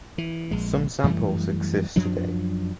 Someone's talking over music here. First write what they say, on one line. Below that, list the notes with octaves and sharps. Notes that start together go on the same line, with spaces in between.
Some samples exist today.
E3
A#1 G#3
F#2 E3 G3 A3
F#2 F3 F#3 D4